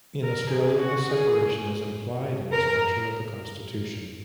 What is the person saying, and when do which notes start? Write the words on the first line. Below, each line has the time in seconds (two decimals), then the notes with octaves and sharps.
In Australia, this separation is implied in the structure of the Constitution.
0.23 A#4
0.51 G#4
0.79 F#4
1.08 G#4
2.52 A#4